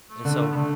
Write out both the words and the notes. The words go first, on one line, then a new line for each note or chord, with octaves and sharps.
And so,
A3
D3
B3
D3 A3